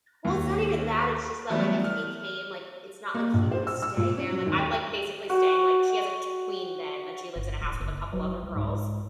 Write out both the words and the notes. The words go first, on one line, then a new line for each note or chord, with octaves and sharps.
Well, it's not even that, it's just that like, if he came, like, it's not like he could stay there, like, I'm, like, basically staying, like, she has a t queen bed and she lives in a house with a couple other girls,
D#2
E3 F#3 G3 A3 B3
F6
A#3
A#1
C5
E6
E6
A#2
C#4
F#3
D#2
G5
F#4 G5
G1
D1
F#1
F#3
C2
G#2